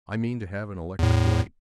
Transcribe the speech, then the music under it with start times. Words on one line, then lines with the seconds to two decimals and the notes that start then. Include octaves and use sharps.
"I mean to have an electric light."
0.99 E2 A2